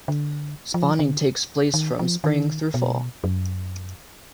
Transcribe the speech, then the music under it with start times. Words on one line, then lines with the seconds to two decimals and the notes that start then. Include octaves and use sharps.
Spawning takes place from spring through fall.
0.08 D3
0.74 F3
0.99 D3
1.74 D#3
1.99 F3
2.24 D#3
2.74 B2
3.24 F#2